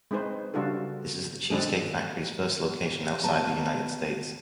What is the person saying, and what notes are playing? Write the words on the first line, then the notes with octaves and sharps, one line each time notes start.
This is the Cheesecake Factory's first location outside the United States.
G#3 C4 D#4 B4 C5
C#3 G3 D4 F4 F#4 A4
D#3 G#3 C4 D4 G#4 A4
B3 A5 A#5